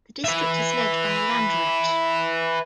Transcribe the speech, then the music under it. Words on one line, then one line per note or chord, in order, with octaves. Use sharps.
The district is led by a "Landrat".
B4 E5